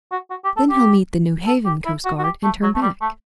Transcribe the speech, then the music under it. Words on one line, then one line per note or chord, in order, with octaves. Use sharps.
'Then he'll meet the Newhaven coastguard and turn back.
F#4
F#4
G4
A4
G4
A4
G4
E4
F#4
F#4
G4
A3
F#3
A3
G3
A3